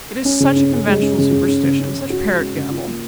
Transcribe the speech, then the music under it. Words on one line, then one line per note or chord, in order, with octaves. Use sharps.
It is such a conventional superstition, such parrot gabble!
C#4
C#3
C#4
C#4
G#3
C#4
C#3
C#3
C#4
C#3
C#4
C#3
F#4
G#3
C#4
C#3
F4
A#3